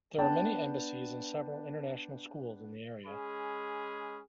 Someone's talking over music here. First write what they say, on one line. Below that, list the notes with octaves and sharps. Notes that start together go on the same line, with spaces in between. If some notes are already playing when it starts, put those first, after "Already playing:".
There are many embassies and several international schools in the area.
B3 D4 B4 G5 A5
G#3 C#4 G#4 B5